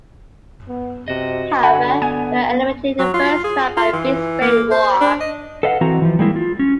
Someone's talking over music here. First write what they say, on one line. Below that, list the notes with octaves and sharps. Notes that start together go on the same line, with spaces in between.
However, they were eliminated in the first round by Brisbane Roar.
B3
C3 F#4 D#5
D3 F#5 G#5 B5
B3 G#5
F#3
F4
G#4
F4
E3
A#3
C5
D4
D#5
A4 B4 D#5 F5 F#5
E3 C4 F#4 A#5
E3 F3
G3 G#3 A#3 E4
F4
C#4